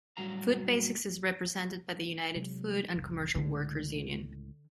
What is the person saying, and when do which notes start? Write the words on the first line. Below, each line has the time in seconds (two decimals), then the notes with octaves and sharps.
Food Basics is represented by the United Food and Commercial Workers union.
0.17 A2 F#3 G3 F#4 F5 A#5
2.35 C3 F#3 G#3
2.95 F1 C2
3.35 C#2 A2 D3